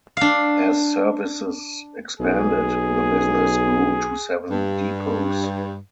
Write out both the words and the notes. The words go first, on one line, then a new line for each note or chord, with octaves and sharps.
As services expanded the business grew to seven depots.
D4 F5
B1 G#4
G2